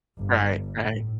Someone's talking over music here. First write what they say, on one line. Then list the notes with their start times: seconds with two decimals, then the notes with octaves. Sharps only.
Right, right.
0.18 G1
0.81 A2